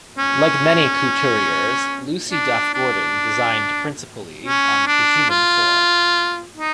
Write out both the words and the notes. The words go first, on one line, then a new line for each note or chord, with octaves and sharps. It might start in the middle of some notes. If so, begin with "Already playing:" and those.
Like many couturiers, Lucy Duff-Gordon designed principally on the human form.
C#4
D4
D4
C#4
D4
F4
D#4